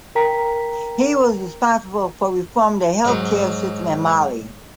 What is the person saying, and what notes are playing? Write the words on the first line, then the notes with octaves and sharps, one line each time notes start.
He was responsible for reforming the healthcare system in Mali.
A#4 G5 A#5 B6
G#2 F#3